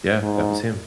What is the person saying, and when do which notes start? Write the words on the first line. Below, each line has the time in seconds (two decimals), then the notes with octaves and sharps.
Yeah, that was him.
0.22 G#2